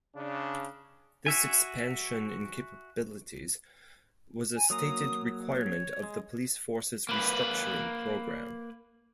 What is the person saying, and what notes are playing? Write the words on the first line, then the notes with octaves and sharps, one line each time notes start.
This expansion in capabilities was a stated requirement of the police force's restructuring program.
C#3 D4
F#4 E5 G#5
G#5
F#3 A#3 A#5 D#6
C#5
G#3
A#3 B4